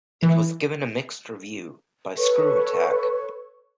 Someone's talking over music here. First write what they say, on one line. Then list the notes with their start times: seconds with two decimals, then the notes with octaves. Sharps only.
It was given a mixed review by ScrewAttack.
0.23 E3
2.16 A4 B4 C#5 C#6